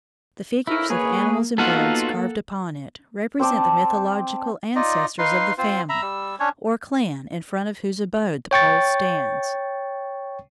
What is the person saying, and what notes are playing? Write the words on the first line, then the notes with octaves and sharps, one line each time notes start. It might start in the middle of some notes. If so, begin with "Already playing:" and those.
The figures of animals and birds carved upon it represent the mythological ancestors of the family or clan in front of whose abode the pole stands.
F2 C#3 E4 A#4
A#3 G#4 B4 C#5
A#3 B3 D#4 F4 F#4 A4 F#5
C4 C5 D5 A5
D#4 F4 D5 D#5
D#4 B4 F5 C6
C4 F4 C5
E5 A#5 B5
G3 E6
C#4 D4 C#5
C#5 G5 C#6 A6